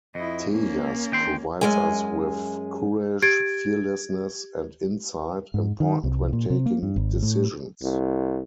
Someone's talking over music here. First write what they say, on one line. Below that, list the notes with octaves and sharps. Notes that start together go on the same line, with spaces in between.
Tejas provides us with courage, fearlessness and insight, important when taking decisions.
F2 E4 D#5
A#3 C#4
D#3 G5 C6
F#2 G#3 G#5
G4 G#6 A6 D7
G#2
D#3
C2
A#2
C3
A#3
G2
G#1
A2
C2